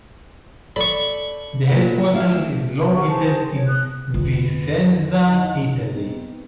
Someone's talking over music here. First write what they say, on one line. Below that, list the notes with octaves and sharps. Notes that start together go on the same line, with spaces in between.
The headquarters is located in Vicenza, Italy.
A4 D5 B5 C#6
A#2 B3 F#5
D2 E4 F5
E5
G4 A#4 F#5 C#6
G#4 C5 A5
C#5
D#6 F#6
A1 F2 D3 G#3 B4
E3 D#4
B3 C4 D#4